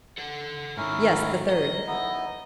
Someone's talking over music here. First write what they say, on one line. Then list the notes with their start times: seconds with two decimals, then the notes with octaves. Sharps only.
"Yes, the third."
0.19 A4 F#5
0.77 G#2 D#3 C#4 E4 A#4
1.50 D#5 A#5
1.87 B3 D#4 E4